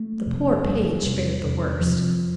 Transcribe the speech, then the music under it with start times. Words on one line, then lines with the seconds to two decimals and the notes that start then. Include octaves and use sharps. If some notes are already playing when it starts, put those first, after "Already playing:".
The poor page fared the worst.
Already playing: A3
0.26 F2 C3
0.64 F2 C3 G3
1.03 E2 C3
1.43 E2 C3
1.81 F2 C3 F3